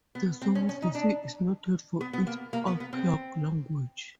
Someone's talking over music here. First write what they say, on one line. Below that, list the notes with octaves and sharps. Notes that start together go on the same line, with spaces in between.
The Song of the Sea is noted for its archaic language.
B3
C4
C#4
C#4
D#4
D4
B3
B3
A#3
A#3
B3
B3
C4